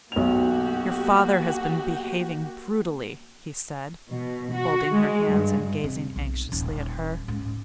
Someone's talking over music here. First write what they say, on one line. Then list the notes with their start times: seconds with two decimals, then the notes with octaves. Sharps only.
'Your father has been behaving brutally,' he said, holding her hands and gazing anxiously at her.
0.12 B1 A#3 F#4 G4 F7
4.11 B2
4.54 F#4
4.92 G#3
5.29 G2
5.84 C3
6.16 B1
6.52 D#1 D#4
7.28 C#2 G#2